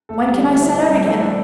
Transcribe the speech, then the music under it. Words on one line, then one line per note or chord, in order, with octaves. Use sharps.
"When can I set out again?"
E2 A3 A4
G3 G4
D3 A3 C4
E4
B2 E4
G3 G4
A3 C4 A4
D4 D5